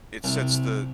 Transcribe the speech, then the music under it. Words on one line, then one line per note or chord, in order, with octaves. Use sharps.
it sets the
C2